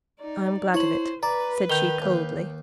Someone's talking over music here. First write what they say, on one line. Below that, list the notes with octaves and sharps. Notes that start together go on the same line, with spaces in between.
'I am glad of it,' said she, coldly.
D#4 D5
E4 C5 C#5 F#7
B4 D5 A#5
D#3 G6 F7 G7
D#2